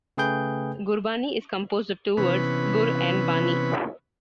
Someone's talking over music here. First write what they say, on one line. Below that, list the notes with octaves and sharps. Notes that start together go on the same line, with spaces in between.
Gurbani is composed of two words: 'Gur' and 'Bani'.
C#3 A3 G#4 B4 G5 G6
C3 E3 B3 C#4 B4